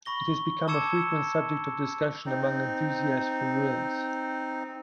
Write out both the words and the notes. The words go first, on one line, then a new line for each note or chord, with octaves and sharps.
It has become a frequent subject of discussion among enthusiasts for ruins.
B5 C#6 A#6 G7
A5 D6 E6 G#6 C#7 E7
C4 D#4